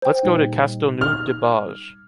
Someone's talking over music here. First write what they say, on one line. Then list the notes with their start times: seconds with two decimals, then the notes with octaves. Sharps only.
Let's go to Castellnou de Bages.
0.02 C5 G5
0.23 A#2 G3 D#4
1.01 F6